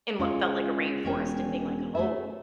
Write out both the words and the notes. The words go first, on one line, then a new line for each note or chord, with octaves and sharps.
in what felt like a rainforest and being like, "Oh,
C#2 G#3 F4 C#5
E1 C#4 A#4 G5
A3 G#4 E5